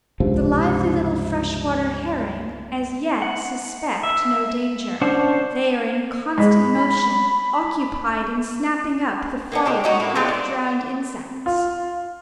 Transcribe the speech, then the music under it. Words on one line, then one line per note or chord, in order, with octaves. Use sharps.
The lively little freshwater herring as yet suspect no danger; they are in constant motion, occupied in snapping up the fallen, half-drowned insects.
C#2 G2 C3 F3
F#5
E5
C#4 D4 C5 F#5 A5
G#2 G#3 B5
A#3 B3 C#4
C4 D4 D#4 G4
C#4 D#4 F#4
A2 A#3 E4
B3 D4 F4 G4
D4
F4